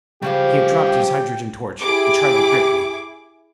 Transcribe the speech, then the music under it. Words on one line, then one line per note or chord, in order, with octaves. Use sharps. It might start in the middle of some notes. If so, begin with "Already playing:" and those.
He had dropped his hydrogen torch, and tried to grip me.
C#3 F3 G3 G#3 G4 F5 G5
E4 G4 G#4 D6